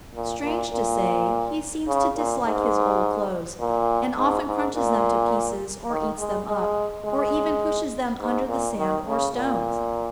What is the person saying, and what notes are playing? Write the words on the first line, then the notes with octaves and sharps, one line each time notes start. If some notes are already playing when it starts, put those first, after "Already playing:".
Strange to say, he seems to dislike his old clothes, and often crunches them to pieces or eats them up, or even pushes them under the sand or stones!
A#2
A#2
A#2
C#3
A#2
G#2
A#2
G#2
G#2
A#2
D#3
G#3
G#3
G#3
G#2
A#2
D#3
C#3
A#2